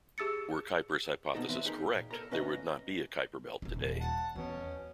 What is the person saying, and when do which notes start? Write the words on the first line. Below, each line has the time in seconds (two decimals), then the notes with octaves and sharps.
Were Kuiper's hypothesis correct, there would not be a Kuiper belt today.
0.18 G4 G#4 E6 A6 C#7
1.35 B2 B3 C4 D#4 A4
1.49 E3 C4 B4 E5
1.65 D#4 G4 G#4 A#4
1.82 A#2
2.11 A4 A#4 A#5
2.31 C#4 B4 D#5 E5 A#5
3.62 D#1 D#4
4.00 F#5 A5
4.36 E2 B2 F#3 C#4